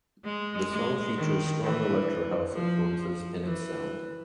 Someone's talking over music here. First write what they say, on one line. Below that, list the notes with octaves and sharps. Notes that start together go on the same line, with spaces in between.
The song features strong electro house influences in its sound.
G#3
G#3
D#3
E3
F3
E3